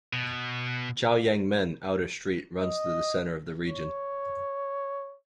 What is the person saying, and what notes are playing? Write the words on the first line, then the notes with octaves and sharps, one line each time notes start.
Chaoyangmen Outer Street runs through the centre of the region.
B2
D#5
C#5